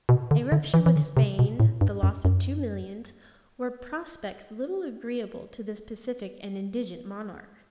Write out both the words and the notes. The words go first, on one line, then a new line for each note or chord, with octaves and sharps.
A rupture with Spain, the loss of two millions, were prospects little agreeable to this pacific and indigent monarch.
B2
D3
D3
E3
E3
D3
C3
B2
A2
G2
F#2
F#2